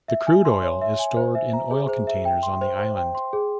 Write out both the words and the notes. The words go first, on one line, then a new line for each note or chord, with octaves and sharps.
The crude oil is stored in oil containers on the island.
E5
G#5
C6
C#5
E5
G#5
C5
E5
A#5
G#4
C5
E5
G5
C6
C5
C5
G5
C6
G#4